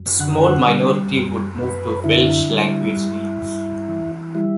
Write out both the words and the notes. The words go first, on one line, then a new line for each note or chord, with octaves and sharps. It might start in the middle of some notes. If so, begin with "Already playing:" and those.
A small minority would move to Welsh language names.
Already playing: F#2
D3 F#5
G3
F#2
F#2 B4
D3 E4
G3
G2
G2
E3
G3 E4